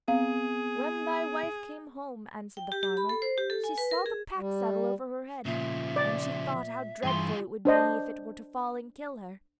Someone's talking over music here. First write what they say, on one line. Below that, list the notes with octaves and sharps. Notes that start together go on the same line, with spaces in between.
'When thy wife came home,' answered the farmer, 'she saw the pack-saddle over her head, and she thought how dreadful it would be if it were to fall and kill her.'
B3 C4 G#4 F5
G5
G4
G4
B5
A4
C5
G4
A4
G#5
B4
A#4
G#4
G3
A#2 C#3 F3 E5
D5
G2 E3 F4 G#4 C6
D4 C5 D#5